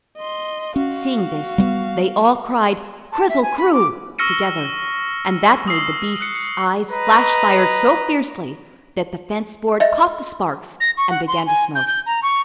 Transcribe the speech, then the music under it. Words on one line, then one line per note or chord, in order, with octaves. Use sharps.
Seeing this, they all cried "Krizzle-Kroo!" together, and that made the beast's eyes flash fire so fiercely that the fence-board caught the sparks and began to smoke.
D#5 C6
C#4 F#4 F5
G3 A3 B3
A5
E5
G#5
B5
D6
C#6 E6 F6 A#6 C#7 D#7
D#6 E6 C7
F#6 C#7
C#7
B4 D#5 A#5
D#5 E5
A#6
C#6
F#5
C6
G#5
G6
G6
A#5
C#6